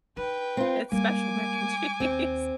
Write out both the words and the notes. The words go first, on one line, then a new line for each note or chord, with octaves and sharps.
It's special mac and cheese.
D#4 B4 G5
C4 F4
G3 G#3 A#3 G#5 D6
D#2 C4